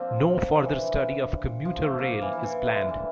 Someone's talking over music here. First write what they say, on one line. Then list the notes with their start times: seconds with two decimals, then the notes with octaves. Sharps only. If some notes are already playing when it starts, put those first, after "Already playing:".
No further study of commuter rail is planned.
Already playing: F3 A#3 C4 D4
0.65 E3
1.65 F3
1.82 A3
1.99 A#3
2.22 E3
2.33 E3
2.43 E3
2.65 D3
2.77 D3
2.89 E3